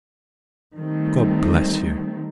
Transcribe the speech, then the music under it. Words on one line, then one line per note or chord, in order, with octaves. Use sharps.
God bless you!
D#3 G3 A3 C4